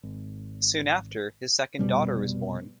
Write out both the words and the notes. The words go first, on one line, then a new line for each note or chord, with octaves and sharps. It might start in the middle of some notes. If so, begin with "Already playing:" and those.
Soon after, his second daughter was born.
G#1
F1 B2 G3